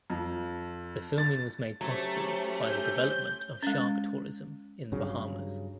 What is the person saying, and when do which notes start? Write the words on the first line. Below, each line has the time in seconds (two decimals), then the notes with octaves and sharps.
The filming was made possible by the development of shark tourism in the Bahamas.
0.10 F2
1.18 A6
1.81 F#3 A3 C#4 G4 C5
2.63 G6
3.63 G#3 C#4
4.92 G2 C#3 F#3